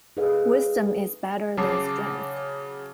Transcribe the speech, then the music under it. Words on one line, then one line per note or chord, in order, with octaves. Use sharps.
Wisdom is better than strength.
G#4 A4 B4 D#5 F5
C#3 F#3 A5 D6 C7